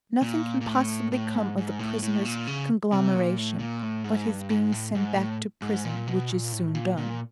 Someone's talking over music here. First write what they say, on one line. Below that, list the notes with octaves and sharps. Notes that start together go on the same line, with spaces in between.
Nothing can possibly come of the prisoner's conglomeration but his being sent back to prison, which is soon done.
A#2
A#2
A2
A2
G#2
G#2
A2
A2
A#2
C#3
C3
A#2
A2
A#2
A2
G#2
G2
G#2
A2
G#2
A2
G#2
A#2
B2
A#2
A2
A#2
A#2